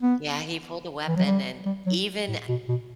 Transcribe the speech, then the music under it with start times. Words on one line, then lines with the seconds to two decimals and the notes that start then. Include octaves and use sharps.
Yeah, he pulled a weapon, and even a eh,
0.02 B3
1.08 E3
1.16 F#3
1.25 G3
1.65 G3
1.86 F#3
2.28 A2
2.48 B2
2.68 B2